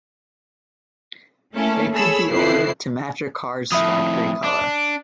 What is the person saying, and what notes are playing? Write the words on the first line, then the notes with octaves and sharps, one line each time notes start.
They could be ordered to match a car's factory color.
A3 A#3 C#4 E4 A4
G#4 A4 C#5 B5 E6
F2 C#3 E4 C7
F2 A2 E5 B5 D#6
D4